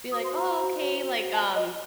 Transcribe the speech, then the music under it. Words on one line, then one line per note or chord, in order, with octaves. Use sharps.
be like, "Oh, okay," like, um
F#4 C5 D#6
C6
A#5
A5
D#5